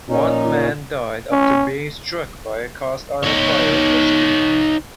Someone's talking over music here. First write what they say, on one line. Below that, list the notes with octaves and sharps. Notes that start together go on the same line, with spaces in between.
One man died after being struck by a cast iron fire escape.
A#2 C#4 D#4
C#4
D#4 C#5